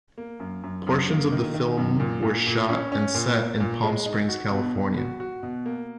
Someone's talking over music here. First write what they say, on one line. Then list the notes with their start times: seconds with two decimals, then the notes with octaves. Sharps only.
Portions of the film were shot and set in Palm Springs, California.
0.18 A#3
0.40 F#2
0.63 F#2
0.87 F#2
1.09 A#3
1.32 D#3
1.54 D#3
1.77 F#2
2.00 A#2
2.23 A#2
2.47 A#2
2.69 C#4
2.92 C#4
3.14 A#2
3.37 A#3
3.60 A#2
3.84 G#3
4.06 D#4
4.29 F#4
4.51 B2
4.75 B2
4.97 F#4
5.20 F#4
5.43 B2
5.66 A#3